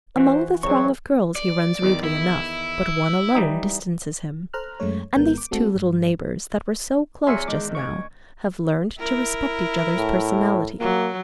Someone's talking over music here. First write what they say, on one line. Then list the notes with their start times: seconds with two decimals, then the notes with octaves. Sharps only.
Among the throng of girls he runs rudely enough, but one alone distances him; and these two little neighbors, that were so close just now, have learned to respect each other's personality.
0.16 E3 F#4 C5
0.63 E2 C#3 F#3 C4 C#6
1.36 D5
1.82 E2 D#3
2.04 E4
3.35 E3 G3 D#4
4.53 A4 C5 A#5 F6 F#6
4.80 F#2 G#3 A3 C#5
5.16 G#1 G#3 B3 A#4 G6
5.38 D6
5.51 G#3 A3 C4 F#4 A4
5.75 G2
7.27 E2 C#5 E5 G#5 C6 C#7
7.48 D#3 E3 G#3 D6 G6
7.75 D2 C#4 C#6 D6 G#6
8.99 E4 A#4
9.97 A2
10.80 F#3 A#3